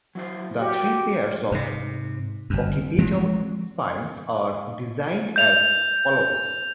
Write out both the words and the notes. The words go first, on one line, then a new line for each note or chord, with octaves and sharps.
The three pairs of occipital spines are designed as follows.
F#3 E4 C5
F#4 G4
G#2 C3
G1 F#2
F3 G#3 C4
G6 F7